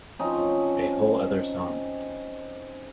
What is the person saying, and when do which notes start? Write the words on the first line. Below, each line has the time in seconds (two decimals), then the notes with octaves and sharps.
A whole other song.
0.19 F3 C4 C#4 D#4